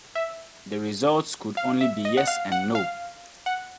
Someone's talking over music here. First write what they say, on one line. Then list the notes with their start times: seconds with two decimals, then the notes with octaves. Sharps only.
The results could only be 'yes' and 'no.
0.15 E5
1.57 F5
1.81 E5
2.05 D#5
2.17 F#5
2.27 F5
2.52 F#5
2.75 F5
3.46 F#5